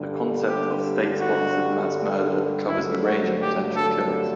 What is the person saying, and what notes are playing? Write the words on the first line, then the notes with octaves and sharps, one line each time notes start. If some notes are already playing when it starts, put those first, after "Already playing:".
The concept of state-sponsored mass murder covers a range of potential killings.
Already playing: G2 D3 G3
G4
F#4
G2 D3 F#3 A3 E4
F#4
G4
A4